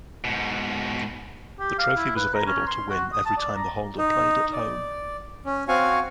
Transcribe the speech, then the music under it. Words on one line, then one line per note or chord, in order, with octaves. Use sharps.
The trophy was available to win every time the holder played at home.
G#2 B2
G4
F5
E4
B4
A#5
C#4
C6
F#4
D#6
A5
D5
A#5
D#4
D5
C#4
C4 F#4 F5 G#5 C#6